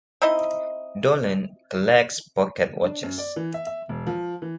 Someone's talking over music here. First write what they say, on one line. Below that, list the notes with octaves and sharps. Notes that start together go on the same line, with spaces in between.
Dolan collects pocket watches.
C4 D#4 E4 D#5
D4
F#2
D5
E3
E5
E5
E1
F3
E3